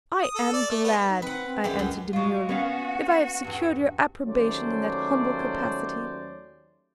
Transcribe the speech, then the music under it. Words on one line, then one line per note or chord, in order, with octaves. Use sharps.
'I am glad,' I answered demurely, 'if I have secured your approbation in that humble capacity.
D#6
A4
D5
A3
B3
D#4
C4 B4 F#5
C4
F#2 G4 G#4
C#2 F#2
F#3 G#3 F4
A#3 B3 C#4 F#4 F5
E2 G2
D#2 F#3 A3 C#4 C5 D5